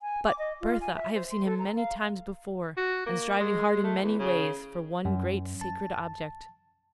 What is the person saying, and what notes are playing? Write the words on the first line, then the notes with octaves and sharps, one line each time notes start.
But, Bertha, I have seen him many times before, and striving hard in many ways, for one great sacred object.
G#5
D6
D#5
F4
G#5
E5
C5
C6
A4
A#5
F5
F#4
A#3
G#3
A3
E2
C#3
F#2
A5